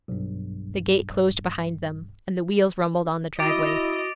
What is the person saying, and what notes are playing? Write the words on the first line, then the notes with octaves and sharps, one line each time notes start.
The gate closed behind them, and the wheels rumbled on the driveway.
B1 G2
E4 F#4 D#5 D6 A6 D7